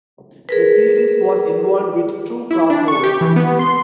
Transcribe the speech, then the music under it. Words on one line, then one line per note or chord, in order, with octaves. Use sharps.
The series was involved with two crossovers.
G#4 A#4 B4
E4
D4
C#6
G4
E3
B3
C6